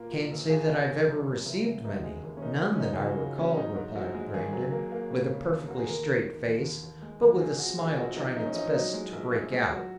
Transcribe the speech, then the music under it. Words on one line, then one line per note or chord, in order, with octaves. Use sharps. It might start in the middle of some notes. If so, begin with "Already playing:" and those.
"I can't say that I have ever received many--none that I recall," replied Brandon, with a perfectly straight face, but with a smile trying its best to break out.
Already playing: A#2 A#3
A#2
A#1
G#1 G#4
G#1
G#1
F#2
F#2
F#1
F#1
F#1 D#4
F#4
G#3 G#4
D#2
C#4
D#2 D#4
G#3
C#4
C#3 D#4
G#4
C#2 F#4
C#3
F#3 C#4
G#2 D#4
G#2
A#1 F#4
G#3
G#1 G#4
F#3
A#3
A#3
C#3
C#3
D#2
A#3 F#4
G#4
D#2 A#4
D#3
D#2
D#2
D#2
D#2
G#3
D#2
F#4
A#1 G#4
A#2 F#4
A#1 G#4
A#1 F#4
A#1 D#4
A#1 D#4
C#4
A#1 D#4
F#3 D#4
G#3
A#1
A#1
G#3
F#3 F#4